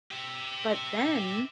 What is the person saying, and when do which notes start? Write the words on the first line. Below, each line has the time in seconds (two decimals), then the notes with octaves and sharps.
But then,
0.11 G4 E5